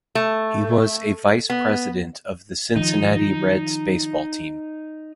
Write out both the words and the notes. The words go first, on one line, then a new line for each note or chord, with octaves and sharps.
He was a vice president of the Cincinnati Reds baseball team.
A3
B3
D#3 F3 D#4